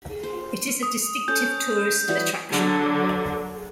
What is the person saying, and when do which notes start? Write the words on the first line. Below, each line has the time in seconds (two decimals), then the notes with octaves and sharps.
It is a distinctive tourist attraction.
0.23 C5
0.83 D#6
1.28 C#4 A4 G6
2.08 E3 G3 F#4
2.52 D3 F#3